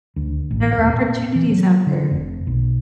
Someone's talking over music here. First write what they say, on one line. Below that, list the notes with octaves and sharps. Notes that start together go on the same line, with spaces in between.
There are opportunities out there.
D2
A1
E1
A#2
E3
F#3
D3
F1
B1